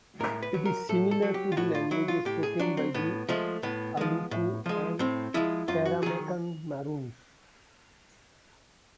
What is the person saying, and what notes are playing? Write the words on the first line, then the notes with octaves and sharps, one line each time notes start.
It is similar to the languages spoken by the Aluku and Paramaccan Maroons.
A2 A#4
B4
F#3
A#4
A2 A4
A4
F#3
G4
F4
A2 F#4
F4
F#3 E4
F4
A2 G4
G#4
F#3 D4
C4
A2 B3
F3 G#3 A3
A2 B3
F3 G#3
A2
F3 G#3
A2 C4
F3 G#3 E4
F#2 F4
F#4
D#3 F#3 G#4